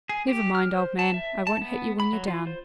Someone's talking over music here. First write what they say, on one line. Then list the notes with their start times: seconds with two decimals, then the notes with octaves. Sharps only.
Never mind, old man, I won't hit you when you're down.
0.09 G#4
0.28 G4
0.55 F6
0.73 C5
0.99 A5
1.14 E5
1.47 A5
1.62 B3
2.00 B5
2.13 F#3
2.28 F4
2.47 C5